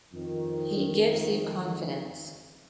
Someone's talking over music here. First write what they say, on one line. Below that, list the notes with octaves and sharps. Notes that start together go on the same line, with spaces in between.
He gives you confidence.
F2 D#3